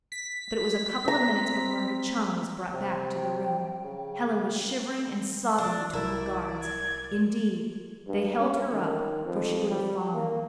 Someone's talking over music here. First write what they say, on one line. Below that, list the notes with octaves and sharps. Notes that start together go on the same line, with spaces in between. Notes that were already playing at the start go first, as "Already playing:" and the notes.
But it was a couple of minutes before her chum was brought back to the room. Helen was shivering and sobbing between the guards--indeed they held her up, for she would have fallen.
B6
C4 A#5
C3 G5
C#3
D4 D5
C2 E4 A#4 D5 E6
G#6
G2
C#4
D#3
F2
G3
A#3